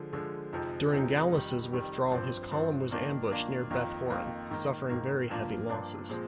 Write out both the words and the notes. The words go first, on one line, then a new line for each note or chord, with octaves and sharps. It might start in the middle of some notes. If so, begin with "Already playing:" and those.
During Gallus's withdrawal his column was ambushed near Beth Horon, suffering very heavy losses.
Already playing: D3 F3 G#3
D3 F3 G#3
F2 C3 F3 G#3 D#4
F2 C3 F3 G#3 D#4
F2 D#3 G3
F2 D#3 G3
G2 F3 C4
G2 F3 C4
D#3 A#3 D4 F4
D#3 A#3 D4 F4
F2 D#3 A#3 F4
F2 D#3 A#3 F4
G#2 D#3 A#3
G#2 D#3 A#3
G2 F3 A#3 D4 F4
G2 F3 A#3 D4 F4
A#2 F3 G#3 C4